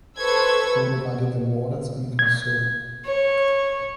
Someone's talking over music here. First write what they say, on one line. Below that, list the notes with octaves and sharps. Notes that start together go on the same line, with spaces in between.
God divided the waters and it was so.
A4 B4 C5 C#6 E6 G#6
G#6
C#5